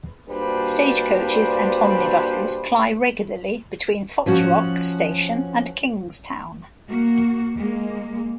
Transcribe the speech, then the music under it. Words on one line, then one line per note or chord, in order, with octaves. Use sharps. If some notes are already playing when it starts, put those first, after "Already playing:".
Stage coaches and omnibuses ply regularly between Foxrock station and Kingstown.
A#2 G3 D4 F#4 B4 C5
F3 C#4 F#4
A#3 F#4
G#3 A#3